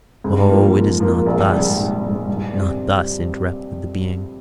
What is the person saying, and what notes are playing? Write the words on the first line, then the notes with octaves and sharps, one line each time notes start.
"Oh, it is not thus--not thus," interrupted the being.
G#2
F3 A#3
G#2
F3 A#3
A#1
G#2 G3
A#1
G#2 G3
G2
G3 C4 G4